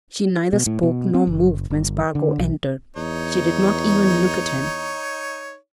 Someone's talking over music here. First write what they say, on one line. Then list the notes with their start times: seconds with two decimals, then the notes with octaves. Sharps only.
She neither spoke nor moved when Spargo entered: she did not even look at him.
0.53 B2
0.66 A2
0.83 B2
1.14 C4
1.27 F#1
1.70 G1
2.15 D3
2.38 B1
2.96 E2 D#4 C#5